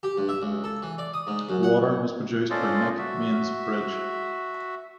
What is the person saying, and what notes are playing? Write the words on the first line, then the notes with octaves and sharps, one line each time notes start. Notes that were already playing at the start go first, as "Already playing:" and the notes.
"Water" was produced by Nick Mainsbridge.
G4
G2
E5
C#2
A4
E3
D5
D#6
G#2
F#2
F#5
C#4 F4 A4 C5 D5 D#5
F#4 E5